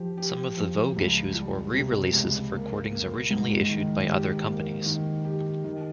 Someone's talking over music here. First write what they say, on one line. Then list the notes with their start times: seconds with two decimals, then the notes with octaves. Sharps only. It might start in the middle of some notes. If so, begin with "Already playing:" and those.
Some of the Vogue issues were re-releases of recordings originally issued by other companies.
Already playing: F3 G4
0.17 G4
0.57 F3
0.96 C#2
1.35 G3
1.75 C3
2.13 C#2
2.52 A#3
2.91 A#3
3.31 G#2
3.69 D#3
4.08 G4
4.47 A#3
4.86 D#3
5.25 G4
5.64 D#3